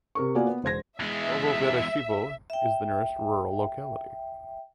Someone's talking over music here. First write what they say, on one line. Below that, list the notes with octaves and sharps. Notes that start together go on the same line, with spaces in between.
Novomereshchevo is the nearest rural locality.
C3 A#4 C#6
A#3 B3 F4 F#4 D5 G#5
B3
E1 C5 G#6 A#6
E2 G#3 E5
E5 G5